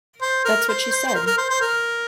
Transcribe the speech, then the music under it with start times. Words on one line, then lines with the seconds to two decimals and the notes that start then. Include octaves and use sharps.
That's what she said!
0.22 C5
0.45 A#4
0.68 C5
0.91 C5
1.07 C5
1.15 A#4
1.26 A#4
1.38 C5
1.50 C5
1.61 A#4